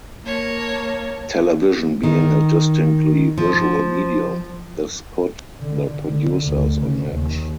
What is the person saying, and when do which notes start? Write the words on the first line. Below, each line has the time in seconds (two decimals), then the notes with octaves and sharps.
Television being a distinctly visual medium, this put the producers on edge.
0.25 A#3 C#5 A5
2.03 D#3
3.38 F3
5.60 D3
6.07 D3
6.45 D2
6.81 C#3
7.12 D#2